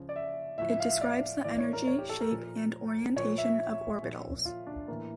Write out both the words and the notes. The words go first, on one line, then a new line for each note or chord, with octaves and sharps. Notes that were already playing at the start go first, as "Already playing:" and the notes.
It describes the energy, shape and orientation of orbitals.
Already playing: C#3 F3
D5
E5
A2 F3 E5
E5
F5
E5
D5
A2 E3 D5
C#5
A#4
C#5
G4
A4
A#4
A#2 F3
A#2 F3 C#5
E5
A#2 F3
F4
D4
A2 E3 A#3